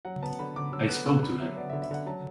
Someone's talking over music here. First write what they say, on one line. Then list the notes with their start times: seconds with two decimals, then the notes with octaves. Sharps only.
I spoke to him.
0.05 F#3 F#5
0.23 B3 A5
0.39 D3 B5
0.56 D3 D6
0.72 F#3 E6
0.89 B3 F#6
1.06 D3 E6
1.22 D3 B5
1.40 F#3 E5
1.56 B3 D5
1.69 E5
1.73 D3
1.82 E5
1.91 D3 F#5
2.06 F#3 A5